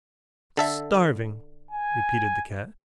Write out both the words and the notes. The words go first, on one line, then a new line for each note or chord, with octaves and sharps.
"Starving!" repeated the Cat.
D3 A4 E5
G#5